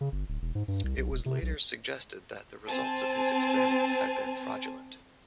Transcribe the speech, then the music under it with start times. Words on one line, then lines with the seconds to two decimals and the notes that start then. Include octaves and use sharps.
It was later suggested that the results of his experiments had been fraudulent.
0.01 C#3
0.12 G1
0.28 D1
0.42 E1
0.55 G#2
0.68 G2
0.84 C2
0.97 B1
1.11 D#1
1.26 C3
1.42 B1
2.68 C4 G#5 A5